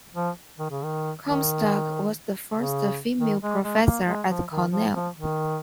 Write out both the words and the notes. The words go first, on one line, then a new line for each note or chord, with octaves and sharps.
Comstock was the first female professor at Cornell.
F3
D#3
C#3
D#3
D#3
C#3
D#3
G#3
G#3
A#3
G#3
F3
D#3
F3
F3
D#3